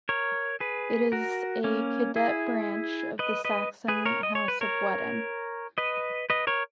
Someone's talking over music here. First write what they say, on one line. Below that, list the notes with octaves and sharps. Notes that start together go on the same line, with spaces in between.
It is a cadet branch of the Saxon House of Wettin.
A#4 C#5
G#4 B4
F#4 A#4
A#3 C#4
E4 G#4
B4 D#5
B4 D#5
G#4 B4
A#4 C#5
D#5
C#5
B4
A#4 C#5
B4 D#5
B4 D#5
A#4 C#5